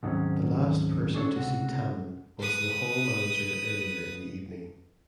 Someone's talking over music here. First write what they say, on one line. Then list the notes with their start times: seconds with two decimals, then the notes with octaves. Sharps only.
The last person to see Tammen was the Hall manager earlier in the evening.
0.03 D2 G#2 D#3 F#3 C4 C#4
1.14 C#4 D4 A4 C#5
1.36 C#2 C3 F#4
2.40 B4 D#6